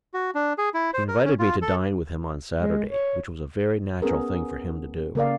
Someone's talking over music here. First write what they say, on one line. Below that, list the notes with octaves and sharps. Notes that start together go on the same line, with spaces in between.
He invited me to dine with him on Saturday, which was a very natural thing for him to do.
F#4
D4
G#4
E4
C5
A#4
C#4
F4
A4
G#3
C#5
B3 C#4 G#4 A#4
C#3 A#3 A#4 D5 F5